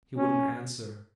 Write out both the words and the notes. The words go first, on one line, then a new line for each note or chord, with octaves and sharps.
He wouldn't answer.
C#4